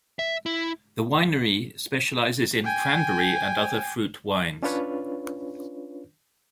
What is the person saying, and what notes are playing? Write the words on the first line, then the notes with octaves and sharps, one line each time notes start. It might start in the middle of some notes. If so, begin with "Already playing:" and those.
The winery specializes in cranberry and other fruit wines.
E5
E4
G5 G#5
C#4 D4 F4 B4 C#5